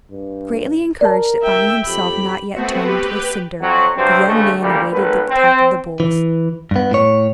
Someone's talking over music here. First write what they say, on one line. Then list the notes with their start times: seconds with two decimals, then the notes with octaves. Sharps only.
Greatly encouraged at finding himself not yet turned into a cinder, the young man awaited the attack of the bulls.
0.11 G2
1.01 A#4 D5 A5
1.43 E5 G5
1.86 F2 G4 B5
2.55 A3 B3 C4 F#4
2.84 G4 B4
3.61 F2 F#3
3.97 G2 C3 F#3 C4
4.26 D2 G2 C#3 G#3 A3
4.60 D2 A#2 G3
4.91 G#1 A3 B4
5.28 C4
6.00 E3
6.71 G2 B3
6.91 A2 C#5